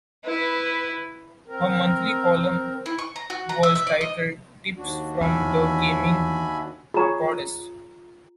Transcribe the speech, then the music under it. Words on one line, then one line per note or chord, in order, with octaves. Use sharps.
Her monthly column was titled "Tips from the Gaming Goddess".
E4 B4
C4 A#4
E4
C#6
A#5
F#4
A#5
E5
E5
D5
D#5
D#2 D4 F#4
E2 E5 G#5 B5
F4 G#4 C#5 A#5